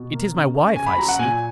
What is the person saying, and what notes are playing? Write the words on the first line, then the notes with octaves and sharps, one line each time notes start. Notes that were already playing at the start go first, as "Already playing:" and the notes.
It is my wife I seek.
Already playing: B2
A#3
C#3
C#4
C#3 G#5
B5
F#3 A#5
F#5
A#2 G#5